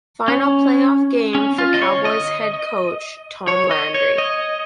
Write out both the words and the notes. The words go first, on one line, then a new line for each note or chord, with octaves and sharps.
Final playoff game for Cowboys head coach Tom Landry.
C#4
C#4
F4
D#5
C#5
D#5
C#5
D#5
C#5
D#5